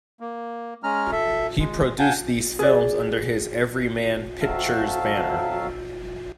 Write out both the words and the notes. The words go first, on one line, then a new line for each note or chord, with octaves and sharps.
He produced these films under his Everyman Pictures banner.
A#3
G#3 C#4 A#5 F6
A4 E5
G#3
F5 F#5 G#5 A5 G6
G#4 D5
F2 F#3 E5 F5 A5